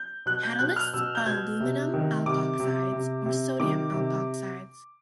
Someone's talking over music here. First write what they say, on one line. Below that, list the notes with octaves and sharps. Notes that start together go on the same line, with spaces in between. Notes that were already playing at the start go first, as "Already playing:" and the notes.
Catalysts are aluminium alkoxides or sodium alkoxides.
Already playing: G6
B2 F#6
G6
B2 F#6
F6
B2 E6
G6
B2 G#6
C3
D#3
C3 D6
C3
C3
C3
D#3 D6
C3